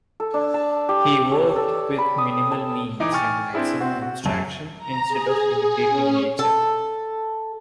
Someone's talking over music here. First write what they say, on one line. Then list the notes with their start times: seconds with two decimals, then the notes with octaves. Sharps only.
He worked with minimal means and maximum abstraction instead of imitating nature.
0.20 A4
0.34 D4
0.54 A5
0.89 G4
1.32 C#5
1.56 A4
1.98 B5
2.18 D#6
2.52 A5
3.00 E3 D#4 D6 D7
3.12 G5 G#5 C#6 F6 A6
3.53 C4 D4 E4 G#4 D5
3.80 C4 F#4
4.02 F#4
4.24 D#1 F#2 A5
4.78 A#5
5.09 G#4
5.56 G#4
5.88 C#4
6.39 A4